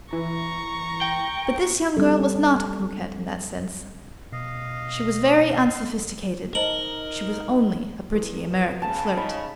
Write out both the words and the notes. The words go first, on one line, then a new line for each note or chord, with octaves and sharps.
But this young girl was not a coquette in that sense; she was very unsophisticated; she was only a pretty American flirt.
E3 A#5 C#6
G5
G3 C4 D4 A4
B2 D#5 F5
F5
D#4 A#4 C5 D#5 A5 F#7
E2
B2
C#3 A5
D#4 B5